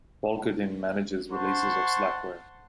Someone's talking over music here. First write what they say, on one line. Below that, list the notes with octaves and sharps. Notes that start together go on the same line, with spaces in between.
Volkerding manages releases of Slackware.
C5 F#5 A5 C6 C#6